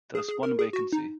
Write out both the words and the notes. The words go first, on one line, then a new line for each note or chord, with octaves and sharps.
There is one vacancy.
G#4
G#4
A#4
G#4
F#4
D#4